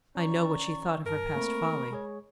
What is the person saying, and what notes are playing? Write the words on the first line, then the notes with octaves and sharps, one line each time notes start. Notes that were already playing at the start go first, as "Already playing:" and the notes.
I know what she thought of her past folly.
C#4 D5 A#5 C#6
G2 A#4 A5
A3 A#3 C4 B5 C#6
G#3 G#4 C#5